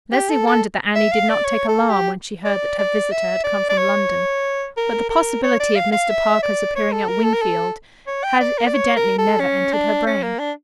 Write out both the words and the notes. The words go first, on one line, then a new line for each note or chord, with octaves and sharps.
Leslie wondered that Annie did not take alarm when she heard that her visitor had come from London; but the possibility of Mr. Parker's appearing at Wingfield had evidently never entered her brain.
G4
A4
A4
E5
F5
D5
C#5
A4
G4
D5
D5
E5
D5
D5
C#5
A#4
A#4
C#5
D5
F5
F5
E5
D5
C#5
A4
A#4
A4
A#4
A4
C#5
G5
D5
A#4
D5
C#5
A#4
A4
C#4
D4
C#4
A#3
D4